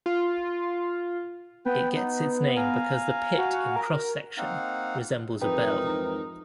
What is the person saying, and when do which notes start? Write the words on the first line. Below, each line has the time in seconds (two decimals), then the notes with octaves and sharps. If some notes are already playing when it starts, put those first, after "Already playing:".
It gets its name because the pit in cross section resembles a bell.
0.06 F4
1.66 B3 B4 G5
1.96 D#4
2.56 F5 G#5 A#5
3.37 F#4
3.52 F#4
3.76 A#4
4.38 A#3 C4 D#4 F5 F#5
5.42 F2 G#2 E3 D#4 A#4 B4 G5